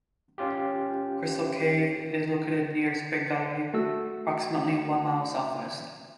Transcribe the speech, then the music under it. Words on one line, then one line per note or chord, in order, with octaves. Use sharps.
Crystal Cave is located near Spring Valley approximately one mile southwest.
C#4 F4 G4
A3 F#4 E6